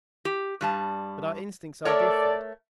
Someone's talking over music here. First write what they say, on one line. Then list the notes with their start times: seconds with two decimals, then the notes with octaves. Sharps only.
But our instincts are different.
0.25 G4
0.61 G2 G3 A5
1.85 A3 A4 A#4 C#5 D5